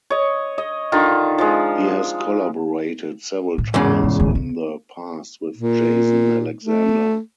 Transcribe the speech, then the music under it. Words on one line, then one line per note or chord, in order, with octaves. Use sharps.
He has collaborated several times in the past with Jason Alexander.
C#5 D#5
D#5
D3 D#3 F4
F3 G#3
A2
E2 G#2 C#3
C3
D1 D3
C#3
A#2
A3